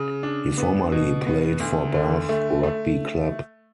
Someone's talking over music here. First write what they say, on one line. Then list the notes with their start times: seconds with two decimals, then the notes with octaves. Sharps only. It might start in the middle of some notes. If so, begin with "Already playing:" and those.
He formerly played for Bath Rugby club.
Already playing: C#3
0.23 D4
0.58 B3
0.92 B2
1.26 B3
1.60 D2
1.95 D3
2.29 A3
2.63 A3